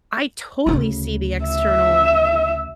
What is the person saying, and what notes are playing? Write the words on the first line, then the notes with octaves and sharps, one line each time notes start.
I totally see the external
D2 C#3
E5